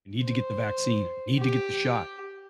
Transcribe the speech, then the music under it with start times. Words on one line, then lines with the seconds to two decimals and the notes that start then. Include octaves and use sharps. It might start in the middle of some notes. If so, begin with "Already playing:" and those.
I need to get the vaccine, I need to get the shot,
0.23 C5
1.39 G4